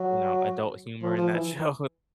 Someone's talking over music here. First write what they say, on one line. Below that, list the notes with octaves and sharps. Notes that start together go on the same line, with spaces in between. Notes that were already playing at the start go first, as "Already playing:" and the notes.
you know, adult humor in that show
Already playing: F#3
F3
F3
E3